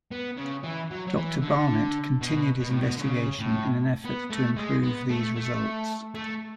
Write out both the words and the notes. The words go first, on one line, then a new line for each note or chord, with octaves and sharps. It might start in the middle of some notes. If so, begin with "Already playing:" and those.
Doctor Barnett continued his investigation in an effort to improve these results.
B3
C#3
E3
F#3
F#3
E3
D3
B2
B2
A2
B2
D3
C#3
A2
B3
A3
G#3
B3
A3
A3
A3